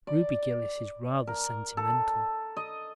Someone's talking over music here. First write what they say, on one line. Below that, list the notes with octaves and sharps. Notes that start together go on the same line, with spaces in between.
Ruby Gillis is rather sentimental.
D5
A#4
A4
D#5